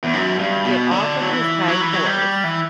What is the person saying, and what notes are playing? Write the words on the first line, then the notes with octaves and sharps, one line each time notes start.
get off of his high horse
E2
F#2
G2
B2
D3
F#3
E3
F#3
E3
F#3
G3
E3